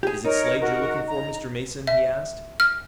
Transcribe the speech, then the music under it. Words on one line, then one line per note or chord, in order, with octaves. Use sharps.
"Is it Slade you're looking for, Mr. Mason?" he asked.
G4 G#4
D#4 A#4 C#5
F#4 A#4
A#5
E5
F6